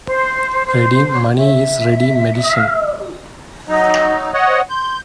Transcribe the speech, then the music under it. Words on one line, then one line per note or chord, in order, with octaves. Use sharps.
Ready money is ready medicine.
C5
C5
E5
F#3 D#4 D#5
C#5 D#5 F#5
C5
C6 G6